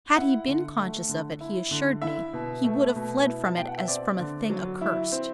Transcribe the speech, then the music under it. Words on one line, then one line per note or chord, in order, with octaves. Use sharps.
Had he been conscious of it, he assured me, he would have fled from it as from a thing accursed.
E4 F#5
D3
A3
D3
E4
D3
E4 E5
B2
A3
B2
E4
A5
B2 G5
F#5
E5
C4 D5
D3
F#3
E4
C4